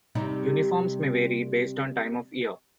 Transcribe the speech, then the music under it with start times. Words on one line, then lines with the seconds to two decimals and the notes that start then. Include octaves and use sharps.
Uniforms may vary based on time of year.
0.15 C3 G3 D#4